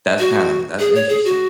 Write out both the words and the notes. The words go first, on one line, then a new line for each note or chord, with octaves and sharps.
That's kinda that's interesting.
F#4
G#4
C#5
G#4
F#4